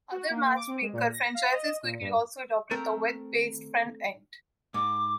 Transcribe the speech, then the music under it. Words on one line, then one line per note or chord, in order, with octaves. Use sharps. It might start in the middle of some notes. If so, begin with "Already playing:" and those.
Other Matchmaker franchises quickly also adopted the web based front-end.
F#4
A#3
D6
C4
G#3
A#2
A#6
F5
D#5
A#2
G2
A3 C4 A#4
G#2 D6